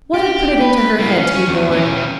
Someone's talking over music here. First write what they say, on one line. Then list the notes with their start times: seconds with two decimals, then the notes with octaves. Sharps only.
What had put it into her head to be born?
0.14 G4
0.61 B4
0.99 A#3 E4
1.18 C#4
1.48 E2
1.72 D#2 C#4